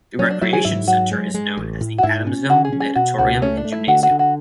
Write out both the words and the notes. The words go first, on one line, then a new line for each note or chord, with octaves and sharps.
The recreation center is known as the Adamsville Natatorium and Gymnasium.
F#3 C#4
D4
F#3 E4
G#4
G#2 E4
F#3 F#4
G#3
G#3
A1
A2
F#4
G#2 E4
C#4
C#4 F#4
G#4
C#4
G#4
B2 F#4
C#2 F#4
A3 C#4
D4
A3
E4
D3 F#4
F#4
D3
F#4